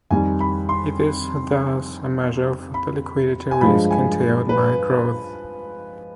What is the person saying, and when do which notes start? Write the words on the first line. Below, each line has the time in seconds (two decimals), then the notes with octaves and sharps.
It is thus a measure of the liquidity risk entailed by growth.
0.11 F2 D#3 G3 G#5
0.40 B5
0.69 C6
2.74 B5
3.51 G#5
3.61 G2 F3 G#3 B5
3.91 G#5
4.49 B4